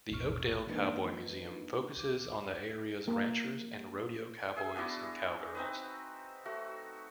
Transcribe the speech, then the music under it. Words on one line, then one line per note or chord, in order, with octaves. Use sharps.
The Oakdale Cowboy Museum focuses on the area's ranchers and rodeo cowboys and cowgirls.
A1 E2 G#2 B2 C#6 F6
E3 G#3 A#3 D4 D#4 B4
D2 D6
A#3
G#4 E5 G#5
B3 D4 E4 F#4
C4 D#4 B4
A3 F#4